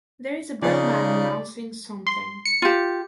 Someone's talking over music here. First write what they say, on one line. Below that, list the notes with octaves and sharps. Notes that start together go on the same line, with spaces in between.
There is a bellman announcing something.
C#3 F3 D#4 D5
C6
C#7
F4 G4